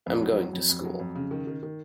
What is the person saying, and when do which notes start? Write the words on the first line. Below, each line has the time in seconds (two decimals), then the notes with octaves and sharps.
I'm going to school.
0.07 F2
0.22 F#3
0.37 F#3
0.53 F2
0.69 F2
0.84 F#3
0.99 F2
1.15 C#3
1.31 D#3
1.47 D#3
1.63 D#3